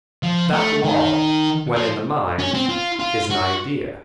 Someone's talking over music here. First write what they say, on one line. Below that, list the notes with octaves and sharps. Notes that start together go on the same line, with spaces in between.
That law, when in the mind, is an idea.
F3
A3
D#3
F3
C#4
C4
F4
F4
F#4